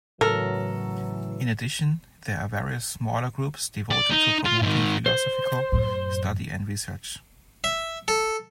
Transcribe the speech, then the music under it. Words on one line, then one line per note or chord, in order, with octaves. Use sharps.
In addition there are various smaller groups devoted to promoting philosophical study and research.
A2 C#3 E3 F#3 A4 A#4
D5
D#4
F4
G#2 D#3
C5
F#2 A2
E5
A4